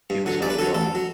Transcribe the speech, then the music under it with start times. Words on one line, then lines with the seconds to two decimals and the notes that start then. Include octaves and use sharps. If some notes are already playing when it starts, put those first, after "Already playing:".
He was not alone.
0.10 G2
0.26 D3 F#3
0.42 G2 D5
0.50 B4
0.59 D3 F#3 A4
0.74 A1 A4
0.95 F#3